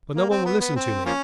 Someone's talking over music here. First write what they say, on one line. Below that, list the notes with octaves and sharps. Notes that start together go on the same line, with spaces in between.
But no one will listen to me.
A#3
C4
B3
B3
C4
F3 A#3 C#4